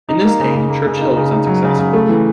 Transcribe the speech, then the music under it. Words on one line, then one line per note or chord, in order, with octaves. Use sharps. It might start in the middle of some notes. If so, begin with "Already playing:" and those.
In this aim, Churchill was unsuccessful.
D#4
A#3
C#3
C#3
A#3
C#3
D#4
C#3
D#4
F#3
C#3
C#3
A3
E3